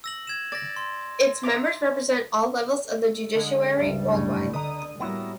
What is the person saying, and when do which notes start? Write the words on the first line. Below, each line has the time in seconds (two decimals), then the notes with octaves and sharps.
Its members represent all levels of the judiciary worldwide.
0.04 E6 A#6 F#7
0.27 G#6 E7
0.52 D5 A6 A#6
0.76 C6
1.43 E5 A#5 D6
2.93 A4
3.35 D3 G#3
3.77 C#2 G2 C3 G3 D5
4.13 F#2 A2 C#4
4.53 D3 B4 D#5 A#5 D#6
5.00 A2 G3 A#3 B3 E4 F#4 C#5 A#6